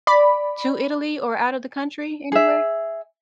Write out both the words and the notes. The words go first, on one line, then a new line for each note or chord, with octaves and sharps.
to Italy or outta the country, anywhere?
D5 B5
G#4 E5